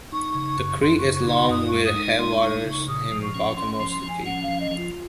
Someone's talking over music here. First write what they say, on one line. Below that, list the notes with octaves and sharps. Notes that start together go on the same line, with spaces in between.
The creek is long, with headwaters in Baltimore City.
D#4 C#6
C#3
F#2
F#2 C6
C#6
C#3
C#6
D#4
C6
F#2 D#6
C#6
G#3
D#6
D#4
G#3 C6
C#6
D#4
C#3
C#6
A#2 D#6
F3
C#6
C#4
C#4 C6
C6
F3
C6
F3
G#5
C#4 F#5
F5
F3
D#5
F3
F4